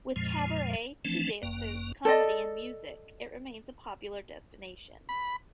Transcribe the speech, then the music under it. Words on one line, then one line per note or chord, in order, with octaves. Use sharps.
With cabaret, tea dances, comedy and music, it remains a popular destination.
F2 A#2 F3 G#3
E3 F3 A3 C4 D4
G1 F#2 A#3
A4 D5 D#5
B5